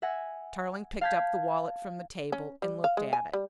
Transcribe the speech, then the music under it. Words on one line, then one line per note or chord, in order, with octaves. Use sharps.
Tarling picked up the wallet from the table and looked at it.
E5 F#5 G#5 A#6
F5 A5 G6 G#6 B6
C#4
G3
F5
G#3
G#5
G3